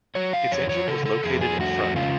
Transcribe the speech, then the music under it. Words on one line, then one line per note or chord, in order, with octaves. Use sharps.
Its engine was located in front.
F#3 C#5
F5
F2 C#5
C#5
C#3 A4
A4
F2 G#4
G#4
A3 F#4
C#3 F4